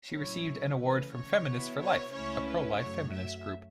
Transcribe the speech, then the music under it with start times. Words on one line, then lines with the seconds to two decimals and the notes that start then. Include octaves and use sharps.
She received an award from Feminists for Life, a pro-life feminist group.
0.14 A2 F#3 C#4 E4 C#5
0.81 C#3 E3 A3 B4
1.14 C#5
1.47 B2 B3 E4
1.81 C#5
2.14 C#2 C#3 A3 C#4 E4 C#5
2.47 B4
2.80 F#2 F#3 A3 C#5
3.13 E5